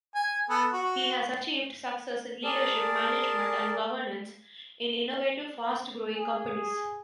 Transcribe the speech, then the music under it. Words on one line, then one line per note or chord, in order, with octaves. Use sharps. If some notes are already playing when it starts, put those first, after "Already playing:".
He has achieved success in leadership, management and governance in innovative fast growing companies.
G#5
B3 A4
F#4
G#4 A#4 D5 A5
G#4